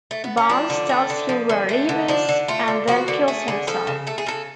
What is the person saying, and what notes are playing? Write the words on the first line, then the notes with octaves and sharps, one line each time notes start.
Barnes tells him where Eve is and then kills himself.
A3
B3
C#4
F3 D4
D3
A3
D3
F3
D3
A3
D3
F3 D4
D3
A3 F4
D3
F3 F#4
D3
A3 G#4
D3
F3 A4
C#3
A3 A4
G#4
C#3 A4